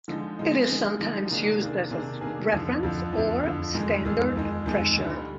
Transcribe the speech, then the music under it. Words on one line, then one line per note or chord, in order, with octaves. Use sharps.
It is sometimes used as a "reference" or "standard pressure".
D3 F3 G#3 D#4
D3 F3 G#3 D#4
D3 F3 G#3 D#4
D3 F3 G#3 D#4
C3 D#3 A#3 D4 G#4
C3 D#3 A#3 D4 G#4
C3 D#3 A#3 D4 G#4
C3 D#3 A#3 D4 G#4
F2 D3 F3
F2 D3 F3
F2 D3 F3
F2 D3 F3
F2 D#3 G#3
F2 D#3 G#3
F2 D#3 G#3
F2 D#3 G#3
D2 D3 G3